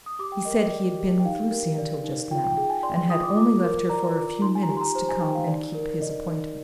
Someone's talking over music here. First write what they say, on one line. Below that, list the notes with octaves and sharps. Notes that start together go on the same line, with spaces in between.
He said he had been with Lucie until just now, and had only left her for a few minutes, to come and keep his appointment.
D#6
G4 D6
G5
A#4 D#5
D#5
D5
G4
G5
D#4 F5
A#4
D5
D#4
F4 G5
G5
G#4 G5
G#5
D5 C6
C6
F4 D#6
D6
F4 D6
A#4
D5 A#5
F4
D#4 C6
G#5
A#5
G4 G#5
C6
A#5
C5 A#5
G#5
D#4 G5
F5
D#4 D5
A#4
D5 D#5
D#4